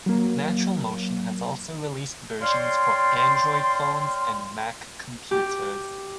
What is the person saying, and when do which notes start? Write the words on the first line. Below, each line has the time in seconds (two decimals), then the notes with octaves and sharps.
NaturalMotion has also released versions for Android phones and Mac computers.
0.06 F#3 A#3
2.41 C#5 D5 F5 G5 C6
5.31 G4